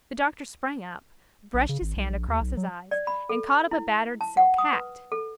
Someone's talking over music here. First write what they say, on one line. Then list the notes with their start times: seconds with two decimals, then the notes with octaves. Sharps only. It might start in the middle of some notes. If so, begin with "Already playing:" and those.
The doctor sprang up, brushed his hand across his eyes, and caught up a battered silk hat.
1.54 A#1
1.69 C#3
1.81 G#1
1.96 B1
2.09 A#1
2.28 D#2
2.41 B1
2.57 F#3
2.91 D5
3.07 B5
3.29 A4
3.71 E4
4.21 A5
4.37 F#5
4.58 D#6
4.73 B4
5.12 A4